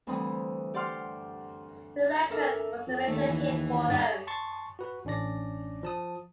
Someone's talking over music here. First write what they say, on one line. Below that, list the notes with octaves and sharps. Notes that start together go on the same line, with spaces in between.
The record was a major hit for them.
D2 E3 G3 C4 B5 D#6
G4 D5 F#5 C6 F6
D4 A4 A#4 E5 E6
F2
D#2 A3
E3
G2 D4 D#4
A5 C6 C#6 A6
F#4 B4
A1 C#4 D4 D5 A#6
F3 A5 D#6